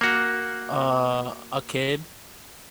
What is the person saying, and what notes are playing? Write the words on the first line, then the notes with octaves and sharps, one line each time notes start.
Uh, a kid,
A#3 F#4